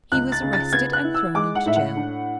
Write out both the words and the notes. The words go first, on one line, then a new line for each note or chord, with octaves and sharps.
He was arrested and thrown into jail.
C#2 F#6
A6
C#3
A6
B3 G#6
F#6
E4
E6
G#3 D6
F#5
A2 E5
F#5
D4